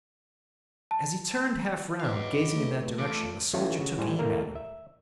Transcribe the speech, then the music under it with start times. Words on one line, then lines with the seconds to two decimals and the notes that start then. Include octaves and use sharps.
As he turned half round, gazing in that direction, a soldier took aim at him.
0.91 A5
2.00 E2 F#3 B4 D#5 F5 D6
2.55 A3
2.98 E2 F4 A4 D6
3.53 E3 A3 C#4 F4 F#4 E5
3.78 C#3 F#4
3.98 A2 G3 C5 G#5
4.18 A2 A3 A#3 A#4 E5
4.55 E5